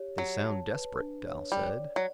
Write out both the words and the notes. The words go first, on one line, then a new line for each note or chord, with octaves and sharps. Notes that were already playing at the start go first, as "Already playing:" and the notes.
"They sound desperate," Dal said.
Already playing: G4 C#5
F#3 C#5
A5
B4
D4
C#5
G3 D5
D5
F#3